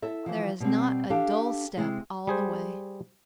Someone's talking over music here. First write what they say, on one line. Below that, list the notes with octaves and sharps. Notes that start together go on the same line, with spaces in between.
There is not a dull step all the way.
E4 A4 E5
E3 F3
B2 G3 C4
D4 G4 A4 F5 G5
C3 G#3 E4
G3 G#4 C5